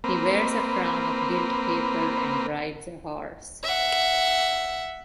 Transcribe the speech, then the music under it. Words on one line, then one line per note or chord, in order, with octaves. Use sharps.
He wears a crown of gilt paper and rides a horse.
A#3 C4 B4
E5 F#5